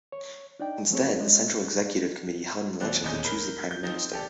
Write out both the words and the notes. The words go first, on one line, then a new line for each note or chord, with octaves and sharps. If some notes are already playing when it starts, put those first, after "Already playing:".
Instead, the Central Executive Committee held an election to choose the Prime Minister.
C#5
D4 D#4 D5 D#5 G5
F3 A3 C4 G#4 C#5
G#3 D4 D#5
D#2 F#3 C4 D5 F#6
D#1 A1 E2 D#5 G#5 G6
A#4 B5 G7
G6
F3 C4 D#4
G4 A4 D5